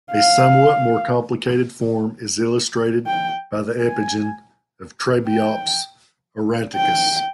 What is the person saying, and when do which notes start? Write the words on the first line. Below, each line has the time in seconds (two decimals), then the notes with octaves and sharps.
A somewhat more complicated form is illustrated by the epigyne of "Trabeops aurantiacus".
0.12 F5
3.06 G5
3.81 G#5
5.28 G5
6.76 G5